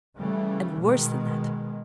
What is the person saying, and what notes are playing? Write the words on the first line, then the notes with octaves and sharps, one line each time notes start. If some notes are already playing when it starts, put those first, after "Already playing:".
And worse than that!
C#3 E3 G3 A3
B2 D#3 G#3